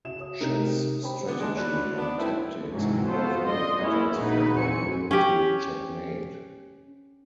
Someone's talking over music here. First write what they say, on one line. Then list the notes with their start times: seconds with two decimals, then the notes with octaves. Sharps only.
Chess strategy and tactics involve many patterns from opening to checkmate.
0.05 C#3 F#4 E5 E7
0.19 C#5 D#6
0.40 C3 D#4 G4 A#4
1.02 C#4 G4 C5 G5 B5
1.27 D3 F3 G3 B3
1.40 G#3 D4
1.57 E4 F#4 A4 B4 C#5 D5
1.97 B3 D4
2.18 D#3 A3 C4 E4
2.73 G#2 C3 E3 F#3 C#4
3.09 B3 F4 F#4 A4 C5
3.48 D5 D#5 C6
3.83 A#3 B3 C#4 E4 G#4
4.16 A#1 C#3 D#4 F#4 B4
4.56 E2 F#3 C4 G#5 C#7
5.11 C#4 G4